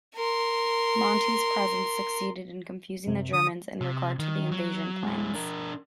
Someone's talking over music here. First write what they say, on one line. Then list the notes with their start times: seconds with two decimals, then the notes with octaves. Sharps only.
"Monty's" presence succeeded in confusing the Germans in regard to the invasion plans.
0.16 A#4 C6
3.07 F#2 C3
3.33 D3 D#6
3.81 C3
4.19 D#3
4.51 F#3
5.04 G#3 E4
5.33 D4 A#4